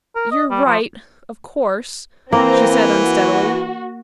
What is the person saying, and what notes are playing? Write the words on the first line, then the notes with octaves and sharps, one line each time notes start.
"You're right--of course," she said unsteadily.
A#4
D#5
G3
F3
E3 A#3 C4 A#5
F#4